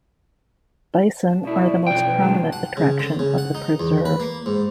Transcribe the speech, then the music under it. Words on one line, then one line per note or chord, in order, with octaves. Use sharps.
Bison are the most prominent attraction of the preserve.
A5
B2 E4 D5
B1 F#2 F3 D5 G5
B4
D#3 F#3 G#3 A5
F#5
C#3
D3
C#3
F#5
D#4
E2
B4
A#3
G#2